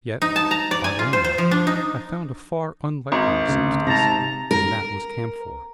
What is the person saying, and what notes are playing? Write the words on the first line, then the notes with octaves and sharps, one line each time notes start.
Yet, oddly enough, I found a far unlikelier substance, and that was camphor.
D#4
A5
A#5
D5
G#5
F4
C5
C5
F3
D4
D#4
G#1
D2 C#3
G#2 C3 A5 A#5
A#4